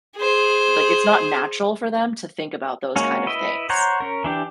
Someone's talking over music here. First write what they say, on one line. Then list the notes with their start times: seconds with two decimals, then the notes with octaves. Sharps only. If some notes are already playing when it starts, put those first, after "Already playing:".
like, it's not natural for them to think about those kind of things,
0.17 G#4 C5
2.96 G#3 A#3 C#4 F#4
3.27 E4 B4 D#5
3.69 C5 C#5 F#5 A#5
4.00 C#4 A#4
4.24 E3 D4 G4